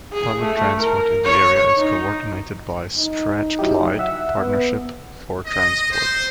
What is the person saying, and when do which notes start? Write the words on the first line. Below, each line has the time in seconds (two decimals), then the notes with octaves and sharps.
Public transport in the area is coordinated by Strathclyde Partnership for Transport.
0.13 G#4
0.42 A3
0.80 A#4
1.25 C#5
1.78 D#4
2.98 D#4
3.59 F#3 E4 G4
3.99 E5 F#5 E6
4.38 B3
5.46 D#5
5.92 C5